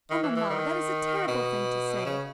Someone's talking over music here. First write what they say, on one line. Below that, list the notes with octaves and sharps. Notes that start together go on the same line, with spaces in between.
Oh, mamma, that is a terrible thing to say.
D#3
E3
E3
D#3
B2
C#3